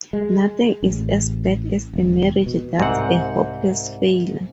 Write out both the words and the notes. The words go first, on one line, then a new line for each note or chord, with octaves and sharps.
Nothing is as bad as a marriage that’s a hopeless failure.
G#3
A1
E1
B2
C2 G#2 C4 F#5